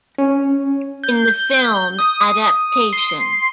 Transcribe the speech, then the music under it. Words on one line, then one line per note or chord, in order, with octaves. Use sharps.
In the film Adaptation.
C#4
G6
D#6
C6